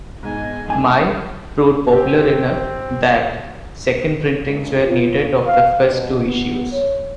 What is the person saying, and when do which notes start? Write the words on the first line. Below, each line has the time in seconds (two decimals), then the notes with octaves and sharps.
"Mai" proved popular enough that second printings were needed of the first two issues.
0.23 G#2 B2 D#5 G#5
0.68 E2 A3 D4 G#5
1.93 G2 C4 G4
4.43 C#2
4.85 F4
5.44 F5
5.82 B2
6.23 B3
6.72 C#5